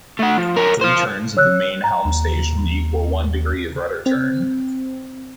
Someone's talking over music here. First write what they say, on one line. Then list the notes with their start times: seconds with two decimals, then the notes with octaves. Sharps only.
Three turns of the main helm station equal one degree of rudder turn.
0.19 A3 F#5
0.38 F3
0.56 A#4 C#5
0.81 C5 F5
1.37 C#5 E6 F#6
1.84 A#5
2.05 D#2
4.06 C4